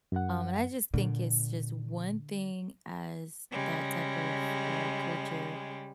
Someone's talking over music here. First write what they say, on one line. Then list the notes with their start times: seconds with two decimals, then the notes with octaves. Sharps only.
um, and I just think it's just one thing as that type of, uh, culture
0.12 F#2 F#5
0.94 A#2 D3
3.51 C#3 G3 G#3